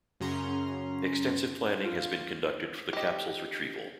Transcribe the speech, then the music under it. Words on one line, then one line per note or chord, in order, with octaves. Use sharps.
Extensive planning had been conducted for the capsule's retrieval.
F#2 C#3 C#4 A#5 C6
F4
G4 D#5